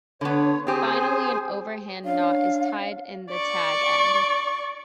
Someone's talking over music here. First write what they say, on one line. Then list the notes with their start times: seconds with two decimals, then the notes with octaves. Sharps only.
Finally, an overhand knot is tied in the tag end.
0.21 D3 B3 C#5
0.67 C4 G4 G#4 C5 G#5
2.05 C#4 D4 C#5 F5
3.30 D5 C#6